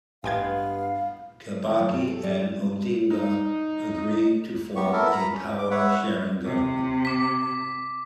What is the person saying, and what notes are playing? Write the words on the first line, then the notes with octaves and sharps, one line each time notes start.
Kibaki and Odinga agreed to form a power-sharing government.
A1 G2 G#3 B3 F5 G5 G#6
D#3
F#2
C4
A4
G3
D#4
B3 G4 C#6
B3 E4 A4 A#4
A#5 B5
C#4
D6
B4 C#5 E5 F#5
C3
D6 B6